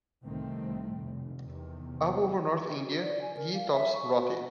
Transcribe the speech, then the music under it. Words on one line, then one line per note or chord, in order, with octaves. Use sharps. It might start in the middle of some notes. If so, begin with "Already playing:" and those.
All over north India, ghee tops "roti".
C2 A2 D#3 A3 C4
F1
E2 C3 D#3
F#4
D5
G#5
A#4
F5
E5
C#6
F#4